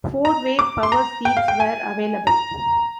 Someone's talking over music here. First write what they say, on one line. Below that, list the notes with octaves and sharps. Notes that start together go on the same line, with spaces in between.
Four-way power seats were available.
A#5
D6
C6
A#5
G5
F5
G5
G#5
A#5